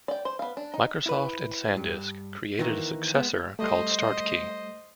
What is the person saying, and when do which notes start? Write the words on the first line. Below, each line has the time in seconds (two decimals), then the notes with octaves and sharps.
Microsoft and SanDisk created a successor called StartKey.
0.08 D5 G5
0.25 C5
0.39 B3 F5
0.57 D4
0.74 D#4
1.06 E4 B4
1.77 G2
2.59 D#3 E3 A#3
3.14 G#3 B3
3.59 G3 A3 C5 D#5